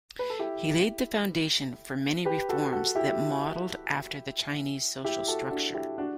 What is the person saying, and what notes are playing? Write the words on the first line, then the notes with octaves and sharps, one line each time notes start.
He laid the foundation for many reforms that modelled after the Chinese social structure.
B4
A4
E4 G4
G4 B4
F#4 A4
F#4 A4
E4 G4
E4 G4
F#4 A4
D4 F#4
E4 G4
D4 F#4